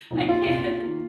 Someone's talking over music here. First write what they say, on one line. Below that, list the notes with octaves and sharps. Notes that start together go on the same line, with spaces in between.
I can't.
C2 A#2 F3 A#3 D#4
F4
C2 A#2 A#3 F4
D#3 A#3